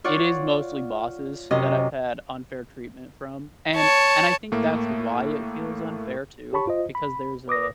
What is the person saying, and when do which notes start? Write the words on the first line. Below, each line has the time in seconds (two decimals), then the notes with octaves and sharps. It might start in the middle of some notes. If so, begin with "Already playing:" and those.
it is mostly bosses that I've had unfair treatment from. And and I think that's why it feels unfair too. Because there's a
0.04 F4 C#5 D5 F#5
1.51 F#2 C3 C#4 A#4 D#5
3.76 C#5 A5
4.52 A2 A3 A#3
6.53 G4 C#5 A5 B5 C#6
6.67 F4 C5 D#5
6.95 B5
7.48 B4 D6 D#6 A#6